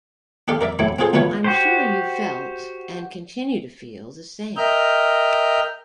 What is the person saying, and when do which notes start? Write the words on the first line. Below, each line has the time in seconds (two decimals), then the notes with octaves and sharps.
I'm sure you felt and continue to feel the same.
0.48 D4 G4 A4 F5 C6
0.61 A#4 D5 E5
0.79 F#3 A3 C4 E4
0.99 C4 F4 G#4 A4 C5
1.13 D2 B2 A3 F4 B4 C#5
1.44 F#4 G4 C5
4.57 A#4 D#5 E5 G5 F6 G6